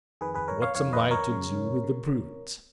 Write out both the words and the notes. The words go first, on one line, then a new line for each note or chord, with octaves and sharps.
"But what am I to do with the brute?"
F2 D#3 G#4 B4
G#4 B4
A#4 C#5
C#5 F5
F2 D#3 C#5 F5
B4 D#5
A#4 C#5
F#2 C#3
C#3